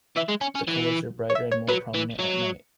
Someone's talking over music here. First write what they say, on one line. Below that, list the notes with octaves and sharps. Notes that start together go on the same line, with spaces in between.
The colors are brighter and more prominent at night.
E3 E5
G#3
C#4
C#4
E3
C#5
E5
C#5
F#3 B4
E3
F#3